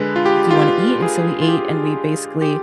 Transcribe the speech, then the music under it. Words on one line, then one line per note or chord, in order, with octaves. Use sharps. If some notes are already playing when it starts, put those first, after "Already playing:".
do you wanna eat?" And so we ate, and we basically
Already playing: D3 G#3 B4
F4
G4
F4
G4
F4 G#4
F4
G4
G4